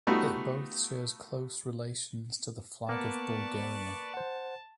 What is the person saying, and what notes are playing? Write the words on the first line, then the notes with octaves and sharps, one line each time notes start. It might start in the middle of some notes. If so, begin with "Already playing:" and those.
It both shares close relations to the flag of Bulgaria.
G3 A3 B3 D#4 F4 F#4
A#3 B3 B4 D5 A5 C#6
C5 F#5